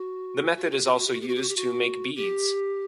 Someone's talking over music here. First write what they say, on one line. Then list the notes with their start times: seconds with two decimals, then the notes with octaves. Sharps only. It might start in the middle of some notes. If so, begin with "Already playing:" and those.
The method is also used to make beads.
Already playing: F#4
0.57 F#4
0.63 G4
0.71 F#4
0.78 G4
0.85 F#4
0.92 G4
0.99 F#4
1.06 G4
1.13 F#4
1.21 G4
1.28 F#4
1.35 G4
1.42 F#4
1.49 G4
1.57 F#4
2.16 G4